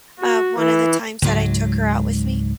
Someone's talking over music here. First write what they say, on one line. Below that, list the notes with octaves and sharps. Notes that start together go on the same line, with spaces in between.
um, one of the times that I took her out with me.
F#4
E3
C#2 G#2 F#3